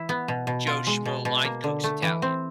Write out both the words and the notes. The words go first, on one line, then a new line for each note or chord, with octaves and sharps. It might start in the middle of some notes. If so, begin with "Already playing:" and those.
Joe Schmo line cook's Italian.
Already playing: E3 E4
B3
B2
B2
F4
G#3
B2
B2
A#3
D3
A3
E3
C4